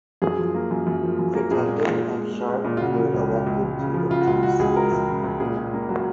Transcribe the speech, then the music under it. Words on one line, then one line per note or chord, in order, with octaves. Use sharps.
Crittenden and Sharp were elected to the two seats.
F#2 G#4
F3
A#3
F#2
F#2
F3
F#2
A#3
A#2 G#4
G#3
A#2
G#3
G#3
G#3
G#3
A#2
F4
C#3 F#4
C#3
C#2
C#2
C#2
C#2
C#3
F3
C#3 F4
F#4
C#2 F4
C#2 F#4
C#2 G#4
G#3 A#4
C#2
C#3
C#2
A#2 G#4
A#2
A#3
F#3